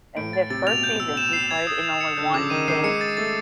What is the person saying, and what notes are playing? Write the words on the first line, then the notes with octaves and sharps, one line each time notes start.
In this first season he played in only one game.
A2 D7
A6
C3 A6
B2 F7
G6
E6
E7
C7
G#6
D#6
F7
C#7
D3 G6
C#3 D6
D#3 D#7
D#3 C7
G#3 C#7
A6
A3 A6